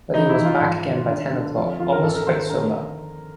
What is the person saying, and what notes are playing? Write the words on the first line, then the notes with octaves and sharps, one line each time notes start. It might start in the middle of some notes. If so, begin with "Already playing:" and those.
But he was back again by ten o’clock, almost quite sober.
E3 D#4
E4
E3
F4
G#2
D#3
G2
D3
F2 F4
F2 F4
A#4
G#2 A4
A#4
D#3 C5
B4
D3 A#4